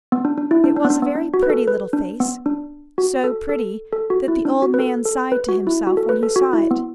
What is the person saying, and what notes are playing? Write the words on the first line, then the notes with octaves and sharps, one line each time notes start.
It was a very pretty little face, so pretty that the old man sighed to himself when he saw it.
B3
D4
D4
E4
D4
D4
B3
D4
B3
D4
F#4
B4
A4
B4
D4
B3
D4
F#4
A4
A4
A4
F#4
E4
D4
F#4
B4
A4
A4
B4
F#4
E4
F#4
A4
B4
A4
F#4
E4
B3